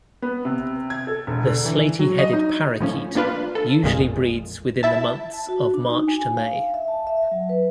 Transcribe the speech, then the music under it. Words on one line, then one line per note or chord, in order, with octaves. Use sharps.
The slaty-headed parakeet usually breeds within the months of March-May.
B3
C3
G#6
A4
E1
D3
E3
F#3
D#5
D#4
A2 F3 C#4
A#3 D4 F4 B4
A4
A1 F2 A#2 G#3
E4 E5 A5
A5
F#4
D4
D#4
G#5
F5
E5
A5
E5
F#3
B4